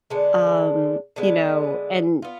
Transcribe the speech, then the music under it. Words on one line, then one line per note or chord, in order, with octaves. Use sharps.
Um, you know, and,
D3 G#3 B3 D4
D3 G#3 B3
B3 F4